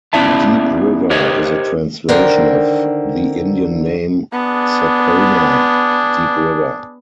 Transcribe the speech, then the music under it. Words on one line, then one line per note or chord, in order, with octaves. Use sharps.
Deep River is a translation of the Indian name "sapponah", "deep river".
B3 C#4 E4 D5 E5 A5
G4 A#4 C5 C#5 D#5
D3 D#3 A#4 C5 G5
B3 D4 G#4